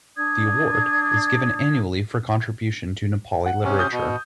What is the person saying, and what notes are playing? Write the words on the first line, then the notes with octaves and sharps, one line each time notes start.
The award is given annually for contribution to Nepali literature.
D4 D5 D#6 G#6
F#5
C3 C#4
D#6 G6
B2